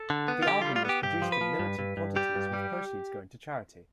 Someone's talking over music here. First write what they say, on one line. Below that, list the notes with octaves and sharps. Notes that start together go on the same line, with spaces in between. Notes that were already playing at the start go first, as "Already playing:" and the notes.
The album was produced in limited quantities with proceeds going to charity.
Already playing: A4
D3
B3
F4
D3 G4
G3 F4
F4
B3 G4
G2 G4
F3
B4
F3
G2
G2
G2
G3 G4
G2
G3